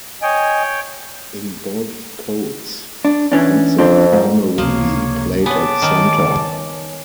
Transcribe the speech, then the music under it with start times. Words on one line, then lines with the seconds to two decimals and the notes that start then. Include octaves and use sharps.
In both codes, Franze primarily played at centre.
0.22 C#5 D#5 G5 G#5
3.05 D4
3.32 E3 C#4 D4
3.78 F2 F3 C4 D4
4.13 G#2
4.58 C#2 C3 F3 A#3 C#5
5.46 B3 C#5 G#5 A5 D6
5.82 D#3